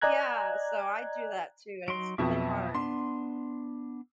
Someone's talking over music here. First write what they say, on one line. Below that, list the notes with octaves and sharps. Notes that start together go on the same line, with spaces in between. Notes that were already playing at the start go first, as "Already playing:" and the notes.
Yeah, so I do that too, and it's really hard.
D5 D#5 G#5 A#5 F#6 G#6
F#3 D#4 C6 D7
F2 B2 F#3 E5 C#6
B3 D4 C6